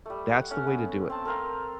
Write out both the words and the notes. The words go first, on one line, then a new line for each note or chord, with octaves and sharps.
that's the way to do it.
G3 A3
F#5
A3 C#4
B3
C4 A5
A4 A#4 C5 F5